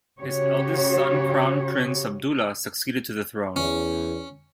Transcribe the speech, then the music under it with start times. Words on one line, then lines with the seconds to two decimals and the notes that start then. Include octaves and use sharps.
His eldest son Crown Prince Abdullah succeeded to the throne.
0.20 C#3 F#4 G4 C#5
3.56 E2 C#4